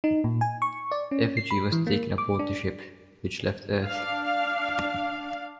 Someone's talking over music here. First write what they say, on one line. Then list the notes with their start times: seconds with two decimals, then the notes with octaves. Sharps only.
Effigy was taken aboard the ship, which left Earth.
0.04 D#4
0.24 A#2
0.41 G#5
0.62 C#6
0.92 D5
1.11 C#4
1.37 C7
1.51 B5
1.72 E3
1.87 A#3
2.18 D6
2.39 D4
3.85 D4 F5